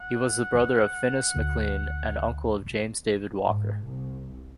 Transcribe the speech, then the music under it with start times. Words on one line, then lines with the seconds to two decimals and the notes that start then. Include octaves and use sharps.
He was the brother of Finis McLean and uncle of James David Walker.
0.01 F#5
1.36 D2
3.45 G#2
3.85 C2